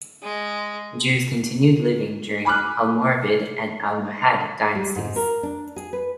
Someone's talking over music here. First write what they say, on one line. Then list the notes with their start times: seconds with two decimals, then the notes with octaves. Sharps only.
Jews continued living during Almoravid and Almohad dynasties.
0.23 G#3
2.45 G#5 B5 D6 F6 F#6
4.75 G3
4.96 G#2
5.16 A#4
5.43 D4
5.76 G#4
5.93 B4